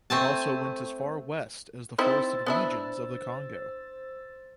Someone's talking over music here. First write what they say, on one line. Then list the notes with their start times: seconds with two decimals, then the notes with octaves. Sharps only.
It also went as far west as the forested regions of the Congo.
0.10 A3 C4 G#5 A5
1.98 C4 D#4 E4 C5 E6 A6
2.46 B3 D4 E4